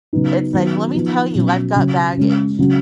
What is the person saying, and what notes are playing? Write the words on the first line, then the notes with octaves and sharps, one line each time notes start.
it's like, "Let me tell you, I've got baggage,"
C#3 F#3 B3 D#4
D#3 F#3 B3
F3 B3 D#4
B2 F#3 C#4
C#3 F#3 C#4
C#3 G#3 C#4
C#3 F#3 C#4